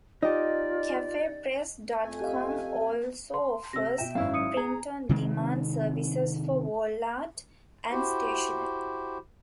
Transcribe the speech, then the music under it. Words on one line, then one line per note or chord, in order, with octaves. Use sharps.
CafePress dot com also offers print on demand services for wall art and stationery.
D#4 F4 G4 D5 D#5
F2 A3 G#5
G4 D#5 F5
C6
C3 C4 E6 A#6
B2 E5 G5 E7
G#1 F#2 C#4 E4 F5
D#6 C#7 D#7
G#4 A#5
C3 D#3 G#3 C4
E4 F#4 G4 C5